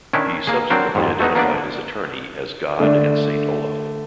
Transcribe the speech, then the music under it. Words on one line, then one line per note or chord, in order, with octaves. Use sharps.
He subsequently identified his attorney as God and Saint Olaf.
D#3 C#4 D4 E4
A#3 G#4
F#3 C4 D4 A#4 C5
F2 G#2
A3 B3 D#4
A#3 B3 D4 D5
D3 A3 D4